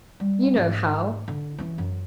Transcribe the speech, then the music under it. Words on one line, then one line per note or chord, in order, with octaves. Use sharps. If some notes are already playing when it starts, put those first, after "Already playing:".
You know how!'
G3
G#2
D3
E3 C#4
F#2